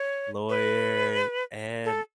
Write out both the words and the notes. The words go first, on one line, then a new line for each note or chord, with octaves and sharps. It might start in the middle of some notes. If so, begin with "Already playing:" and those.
lawyer, and
Already playing: C#5
B4
A4